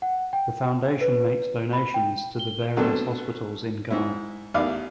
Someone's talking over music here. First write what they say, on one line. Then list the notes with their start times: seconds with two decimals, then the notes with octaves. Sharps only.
The foundation makes donations to the various hospitals in Ghana.
0.02 F#5
0.33 G5
1.01 B4
1.73 B5
1.94 G5
2.39 G7
2.77 B2 D3 F#3 A3 B3 C4
3.91 G#2 E4
4.54 A1 E2 D#3 D5 F5